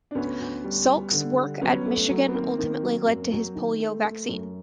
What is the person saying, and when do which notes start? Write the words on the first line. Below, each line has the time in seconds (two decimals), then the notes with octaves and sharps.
Salk's work at Michigan ultimately led to his polio vaccine.
0.11 D4
0.15 D2 B3 C#4
0.40 D2
0.64 G3
0.89 G3
1.12 D3
1.37 G3
1.61 F#3 B3 C#4
1.86 A3
2.10 F#3
2.28 B3
2.34 D#3 A#3 C4
2.58 D#3
2.82 F#3
3.07 F#2
3.32 F#3
3.55 D#3
3.80 A3
4.05 A3
4.29 F#2